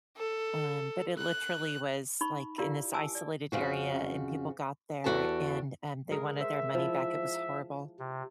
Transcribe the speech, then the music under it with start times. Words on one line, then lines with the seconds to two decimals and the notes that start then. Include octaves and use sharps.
Um, but it literally was, like, in this isolated area, and people got there, and, um, they wanted their money back. It was horrible.
0.17 A4
1.18 F#6
2.21 D#4 B5 C#6
2.58 E4 F4 G4 A#4 D5 F5
2.93 G#5 A5 D6 E6
3.15 D5
3.52 F2 C#3 F#4
5.04 E2 C#3 F#4 G4 A4 A5
6.11 G#3 G#4 A#4
6.40 C5 E5
6.74 F3 E4
7.99 C3